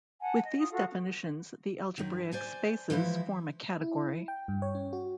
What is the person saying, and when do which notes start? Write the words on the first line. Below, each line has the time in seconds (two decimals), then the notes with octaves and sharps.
With these definitions, the algebraic spaces form a category.
0.21 F#5 G#5 A5
0.45 D#5
0.59 F4 D#6
0.70 F4 F#4 A4
1.98 F#2 D#3
2.32 C5 D5 G#5 A5
2.90 E3 F3 G#3 E4
3.81 E4
4.28 G5
4.48 G2
4.62 C#5
4.75 C#4
4.93 F#4